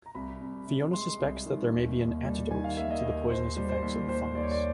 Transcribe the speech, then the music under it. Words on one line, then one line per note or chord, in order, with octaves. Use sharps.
Fiona suspects there may be an antidote to the poisonous effects of the fungus.
A#5
C2 B5
C3
C3
G#3 C6
C2
D#3
D#2
D#2
G3
D#3 G#5
F5
A#3 E5
D#5
D#2
D#2 C5
G3
C5
D#2
G3 C5
D#2 D5
C#5
D5